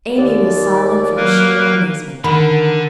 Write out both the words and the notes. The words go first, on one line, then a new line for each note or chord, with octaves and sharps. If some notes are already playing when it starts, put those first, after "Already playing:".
Amy was silent from sheer amazement.
D#2 D5
F#3 A#3 A#4 B4
D3 D#3 A#4 F#5 B5